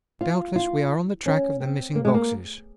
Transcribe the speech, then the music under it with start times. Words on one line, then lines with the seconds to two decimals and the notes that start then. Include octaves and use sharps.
Doubtless we are on the track of the missing boxes.
0.21 F4
0.56 F4
1.26 C#4
1.60 C4
1.95 A#3
2.05 G#3
2.14 A#3